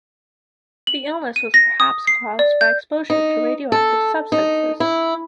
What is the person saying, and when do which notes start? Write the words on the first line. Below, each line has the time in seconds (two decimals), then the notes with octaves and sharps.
The illness was perhaps caused by exposure to radioactive substances.
0.87 F#7
1.36 D#7
1.54 A#6
1.80 D#6
2.07 C7
2.39 D5
2.61 G6
3.10 D#4
3.72 A4
4.32 D#4
4.80 E4